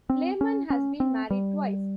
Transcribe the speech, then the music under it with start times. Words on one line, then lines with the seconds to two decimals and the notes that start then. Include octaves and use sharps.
Lemann has been married twice.
0.10 C4
0.41 C#4
0.70 C#4
1.00 C4
1.30 G3